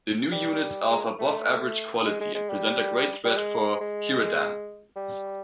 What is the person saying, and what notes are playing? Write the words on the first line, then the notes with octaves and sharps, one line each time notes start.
The new units are of above-average quality and present a great threat for Heradan.
G3
G#3
A3
G#3
G#3
G#3
G3
G3
G#3
G#3
G3